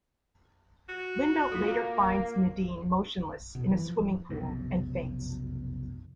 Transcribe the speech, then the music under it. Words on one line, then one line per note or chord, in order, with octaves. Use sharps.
Linda later finds Nadine motionless in a swimming pool and faints.
F#4
A#3 F4 A4
B2
E3
F3
F1 B1 F#2